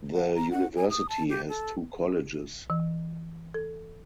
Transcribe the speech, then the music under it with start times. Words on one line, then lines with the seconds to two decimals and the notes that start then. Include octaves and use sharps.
The university has two colleges.
0.15 F#5
0.35 A#5
0.51 F#5
0.76 G#5
0.90 D#6
1.09 A5
1.30 G4
1.49 A4
2.70 E3
3.54 A4